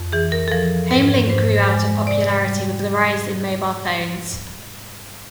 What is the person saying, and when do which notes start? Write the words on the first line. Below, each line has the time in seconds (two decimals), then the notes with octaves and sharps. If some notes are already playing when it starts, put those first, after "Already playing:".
HomeLink grew out of popularity with the rise in mobile phones.
Already playing: F2
0.12 E3 G#4
0.32 A#4
0.48 A4
0.52 F3 A#4
0.90 G#2 B4
1.29 G#2 C5
1.68 G#3
2.07 C3 D5
2.46 G3